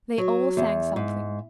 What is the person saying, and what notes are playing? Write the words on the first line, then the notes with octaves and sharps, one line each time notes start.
They all sang something.
F#3
E2
G#2